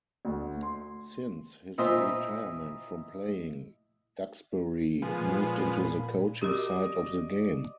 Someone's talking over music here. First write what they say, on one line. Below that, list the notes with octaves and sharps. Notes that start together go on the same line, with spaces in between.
Since his retirement from playing, Duxbury moved into the coaching side of the game.
D2
C6
A#2 E4 F4 C5 D#5 B5
A#2 F3 G#3 B3
F#4 G4 A#4 D5 D#5